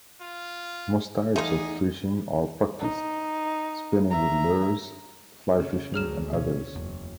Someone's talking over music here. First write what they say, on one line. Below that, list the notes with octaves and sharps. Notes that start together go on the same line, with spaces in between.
Most types of fishing are practiced: spinning with lures, fly fishing, and others.
F4
E2 A3 D#4 G#4 C5 F5
D#4
E5 A#5
C#3
D2 F#3 G#4 F6 E7
B2 C#4
F#1 E2